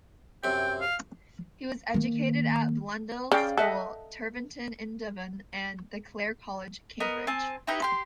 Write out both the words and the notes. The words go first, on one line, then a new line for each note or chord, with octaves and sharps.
He was educated at Blundell's School, Tiverton in Devon, and at Clare College, Cambridge.
F#2 C3 G5
F5
D#3 A#3
C#3 D5 F5 G5
A4 D#5 E5 F#5
B3 A#4 D#5
C4 G#5 A5
D#4 E4 G4 B4
G4 C6